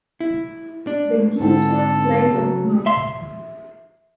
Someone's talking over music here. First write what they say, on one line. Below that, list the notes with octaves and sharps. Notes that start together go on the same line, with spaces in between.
The geese are flying up north.
E4
D4
G#2 D3 C4 A4
C#3 F#3
E5 C6